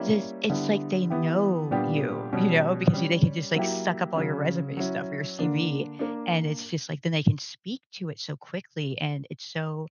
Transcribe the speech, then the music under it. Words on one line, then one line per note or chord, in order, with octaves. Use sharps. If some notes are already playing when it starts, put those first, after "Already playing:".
this it's like they know you you know, because they can just like suck up all your resume stuff or your CV, and it's just like then they can speak to it so quickly, and it's, so,
Already playing: G3 A#3 C#4 E4
D3 G3 B3 E4
E3 B3 E4 G4
A#2 G3 B3 D4 G4
B2 G3 C#4
G3 C#4 G4
F#3 A#3 E4 G4
C#3 F#3 C#4
F#3 C#4 E4
D3 A#3 D4
A#3 D4